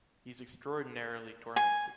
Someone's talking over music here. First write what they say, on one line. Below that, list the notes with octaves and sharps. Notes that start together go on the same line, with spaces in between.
He’s extraordinarily tormented.
G#5